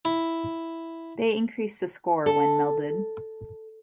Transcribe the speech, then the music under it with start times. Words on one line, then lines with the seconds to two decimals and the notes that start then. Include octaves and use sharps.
They increase the score when melded.
0.05 E4
2.26 A4